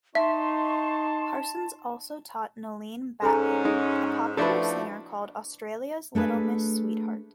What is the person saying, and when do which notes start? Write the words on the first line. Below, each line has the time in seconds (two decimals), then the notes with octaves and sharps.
Parsons also taught Noeleen Batley - a popular singer called "Australia's Little Miss Sweetheart".
0.15 D#4 E5 A5 C6 C#6
3.22 G#2 C#4 A4 G#5 A#5
3.65 G#3 D#4
4.37 F3 A3 D4 E4 F#4 A4 B4
6.15 A3 D4 G#4 B4